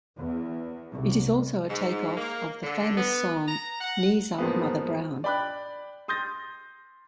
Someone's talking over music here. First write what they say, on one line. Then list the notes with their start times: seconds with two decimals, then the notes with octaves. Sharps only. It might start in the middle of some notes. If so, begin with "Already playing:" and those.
It is also a take off of the famous song "Knees Up Mother Brown".
0.16 E2
0.94 C2
1.68 G#2
2.17 A#3
2.63 D3
2.96 B3
3.48 A#5
3.81 F#5
4.38 E2 G#2 F3 A#3 B3
5.24 D5 G5 B5 D6 F#6
6.08 C6 D#6 G6 A6 A#6